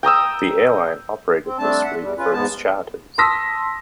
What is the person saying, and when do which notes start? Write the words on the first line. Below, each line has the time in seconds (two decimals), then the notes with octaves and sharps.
The airline operated this fleet for its charters.
0.03 G5 A#5 D#6 E6
1.45 C4
1.59 G3 A3 C4 D4 A5
1.84 E5 F#5
2.01 E2 G3
2.17 C#4 F4 B4
2.33 E2 G#2 G#3 B3 A5
3.18 A5 C6 D#6 E6 A#6 B6